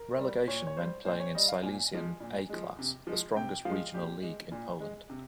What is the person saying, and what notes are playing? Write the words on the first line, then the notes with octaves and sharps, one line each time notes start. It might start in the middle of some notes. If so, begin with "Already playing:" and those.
Relegation meant playing in Silesian A-Class, the strongest regional league in Poland.
Already playing: A#4
G3
A#2 C#5
C#5
G3 C5
A#2 C5
C#5
G3 D#5
F5
A#2 G#5
F3 G#3
A#2
F3 G#3
C3
F3 G#3
C3 G5
F3 G#3 F5
A#2 G4
G#3
A#2
G#3
C3